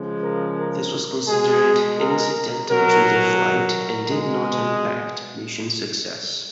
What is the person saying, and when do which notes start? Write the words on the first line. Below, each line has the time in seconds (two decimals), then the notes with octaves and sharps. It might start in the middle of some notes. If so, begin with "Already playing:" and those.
This was considered incidental to the flight and did not impact mission success.
Already playing: C#3 F3 G#3
0.22 A#4
0.58 A#4
1.28 B2 G#3 G#4
1.98 A#4
2.68 B2 F#3 A#4
3.38 A#4
4.09 B2 G#3